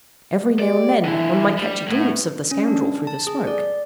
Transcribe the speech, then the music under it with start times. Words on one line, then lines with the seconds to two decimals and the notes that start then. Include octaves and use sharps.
Every now and then one might catch a glimpse of the scoundrel through the smoke.
0.60 G3 G#3 G4 D5
1.05 D3 E3 E4
1.57 D2 G3
1.88 F2 A2 A3 B3
2.51 C#4
2.68 D4
3.07 A5
3.27 G#4
3.47 D5